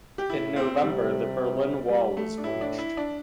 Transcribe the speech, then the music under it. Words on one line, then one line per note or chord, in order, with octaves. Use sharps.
In November the Berlin Wall was breached.
G4
A2 E4
C4
C3 G3
G3
A3
D4
A2 E4
D4
E4
D4